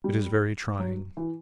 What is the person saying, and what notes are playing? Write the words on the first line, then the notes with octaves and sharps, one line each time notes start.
It is very trying.
G3
F#3
E3